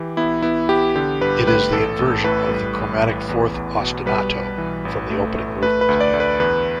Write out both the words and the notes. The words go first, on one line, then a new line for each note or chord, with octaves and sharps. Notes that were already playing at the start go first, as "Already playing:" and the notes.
It is the inversion of the chromatic fourth ostinato from the opening movement.
Already playing: E3 G4
B3 E4
B3 E4
B3 G4
D3 G4
G2 B4
A3 B4
A1 A4
A1
A2 B4
G3
A1
A1
E2
E2
B2
G3 B4
G3
E3
A1
A3
A3
A3 B4
B4
D2
D5
D2
B4
E2 B4